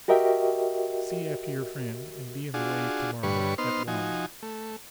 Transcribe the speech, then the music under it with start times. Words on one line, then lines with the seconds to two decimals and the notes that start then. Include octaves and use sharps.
'See after your friend, and be in the way to-morrow at one.
0.08 F#4 G4 A#4 D#5 E5 G5
2.54 D4 F4 F#4 G#4
3.23 G2 D3 G3 B4 C#5 C#6
3.58 B3 D#4 C5 C6 F6
3.88 F3 D#4 F#4 G#5
4.43 A3